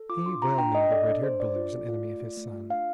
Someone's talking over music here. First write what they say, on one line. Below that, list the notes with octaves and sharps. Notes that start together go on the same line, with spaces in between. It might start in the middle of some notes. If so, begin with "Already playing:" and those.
He well knew the red-haired bully was an enemy of his son.
Already playing: A4
F4 D6
D4 C6
F4 A#5
D4 G5
D4 D#5
A4 D5
D4
D4 C5
D4 D5
F4
A4
F4
A3
F4
A3
F4
D4 F5